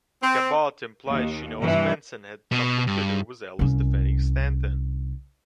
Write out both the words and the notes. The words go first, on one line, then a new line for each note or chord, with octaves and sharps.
Cabot implies she knows Benson had something to do with Ellis defending Stanton.
C4
D#2
G2 C3 E3
B2
G2
C2 C#4